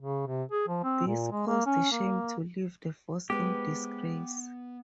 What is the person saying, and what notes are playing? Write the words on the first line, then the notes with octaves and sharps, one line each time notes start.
This caused Shame to leave the force in disgrace.
C#3
C3
G#4
F3
C4
A#2
G#3
A#3
C#4
A#3
G#3 B3 C4 G4 B4